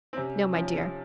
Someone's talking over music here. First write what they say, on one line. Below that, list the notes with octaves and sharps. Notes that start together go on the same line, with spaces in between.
"No, my dear."
C4
C3 C#4
F3 C#4